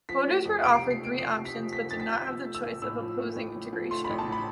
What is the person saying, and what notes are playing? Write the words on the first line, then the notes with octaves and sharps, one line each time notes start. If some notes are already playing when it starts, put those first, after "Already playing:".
Voters were offered three options, but did not have the choice of opposing integration.
F3 B6
A3
F2
C3 D7
C7
D7
F3
C7
A3 D7
F2 C7
C3
B6
F3
A3 B6
F2 A6
B6
C3 G6
F3 E6
A3
E6
A1
A2 E6
F3
A3
A1
A2
F3
A3 C6
B5
A1
A5
A2 B5